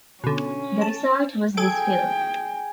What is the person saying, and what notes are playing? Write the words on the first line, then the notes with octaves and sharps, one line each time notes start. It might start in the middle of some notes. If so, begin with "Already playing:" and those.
The result was this film.
B2 D3 C#4
A5
G#4 A4 G5 G#6 D7